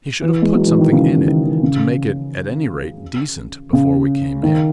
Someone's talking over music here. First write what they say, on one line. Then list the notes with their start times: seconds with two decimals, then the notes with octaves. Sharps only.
"He should have put something in it to make it at any rate decent before we came in."
0.22 E3
0.42 G#3
0.55 F#3
0.67 E3
0.79 D#3
0.92 C#3
1.09 E3
1.27 D#3
1.45 D#3
1.63 C#3
3.73 C#3
4.43 D#3